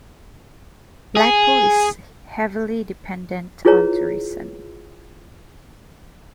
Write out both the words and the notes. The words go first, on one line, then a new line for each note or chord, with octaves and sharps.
Blackpool is heavily dependent on tourism.
G#4
E4 F4 G#4 B4 C#5 A#5